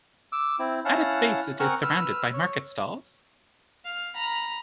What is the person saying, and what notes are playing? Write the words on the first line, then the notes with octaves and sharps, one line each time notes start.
At its base it is surrounded by market stalls.
D6 E6
C4 E4
C#4 E4 F5 F#5 A5
C4 A#4 F#5 G#5 C#6 F6
B4 E6 F6
C#5
F5
A#5 B5